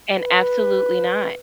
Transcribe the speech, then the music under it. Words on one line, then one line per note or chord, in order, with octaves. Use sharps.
And absolutely not.
B4